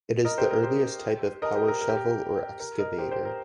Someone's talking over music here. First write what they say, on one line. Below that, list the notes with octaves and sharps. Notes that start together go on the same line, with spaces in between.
It is the earliest type of power shovel or excavator.
A#4 D#5
G4 C5
A#4
G4 C5
A#4 D#5
G4
A#4
A#4
G4
A#4
A#4
A#4 D#5
G4 C5
G4 C5
A#4